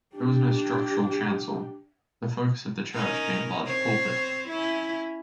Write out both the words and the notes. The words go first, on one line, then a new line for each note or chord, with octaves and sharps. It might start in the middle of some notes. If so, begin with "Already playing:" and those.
There was no structural chancel, the focus of the church being a large pulpit.
D4 G4
C#4 D#4 A#4
C4 C5 C#5
C#4 E4